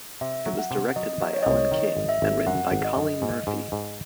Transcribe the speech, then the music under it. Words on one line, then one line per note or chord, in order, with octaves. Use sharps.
It was directed by Allan King, and written by Colleen Murphy.
C3 E5
F#3
F#5
C3
F#3 D#5
F#3
C#5
D#5
C2 C#5
D#3 D#5
G#1
E5
G#1
F#2 F#5
G#1
D#5
F#2
G#2
G#2
G#2